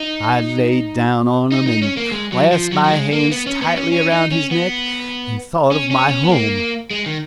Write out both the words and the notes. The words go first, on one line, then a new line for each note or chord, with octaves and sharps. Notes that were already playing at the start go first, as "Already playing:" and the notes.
I lay down on him and clasped my hands tightly around his neck, and thought of my home.
Already playing: D#4
D#4
D#4
C#4
A#3
G#3
F#3
F3
F#3
F#3
G#3
A#3
B3
C#4
B3
C#4
C#4
D#4
C#4
B3
C#4
C#4
C#4
B3
A#3
G#3
D#3